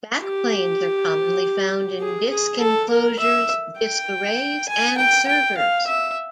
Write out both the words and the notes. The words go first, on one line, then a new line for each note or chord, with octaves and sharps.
Backplanes are commonly found in disk enclosures, disk arrays, and servers.
G4
G#4
G#4
A4
A#4
E5
G5
G#5
G5
G5
F5
E5